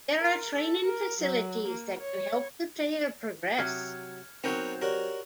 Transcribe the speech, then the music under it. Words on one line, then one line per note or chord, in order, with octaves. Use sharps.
There are training facilities that can help the player progress.
A#4
A4
A#4
F#3
A#3
C#5
C3 F#3 F6 G#6 C#7
F#3 B3 C4 D#4 A#4 C#5 G6
F#4 G4 A#4 C#5 D5